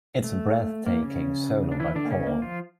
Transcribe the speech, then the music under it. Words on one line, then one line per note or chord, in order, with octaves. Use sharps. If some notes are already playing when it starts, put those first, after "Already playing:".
It's a breathtaking solo by Paul.
A3
A#3
C#3 C#4
D4
E3 E4
D3 D4
A#3
C#3 C#4
A#3
F3 F4